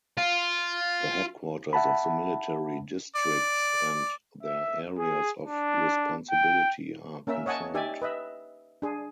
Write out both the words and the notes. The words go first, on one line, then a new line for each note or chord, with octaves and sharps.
The headquarters of the military districts and their areas of responsibility are confirmed.
F4
E5 F#5 A5 B5
D5
E5
G#4
D4
G5
A#3 C#4 A#4 E5
C#5 D#5 F#5 G#5 A5
D#4 G4 D5 E5 G#5
B4 D#5 E5
D4 G#4